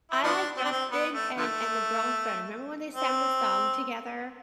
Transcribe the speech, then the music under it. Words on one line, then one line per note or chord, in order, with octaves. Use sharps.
I liked Dustin and and the girlfriend. Remember when they sang the song together?
E4
F3 B3 D4
C4
D4
C4
B3
A3
D3 F3 A3
C4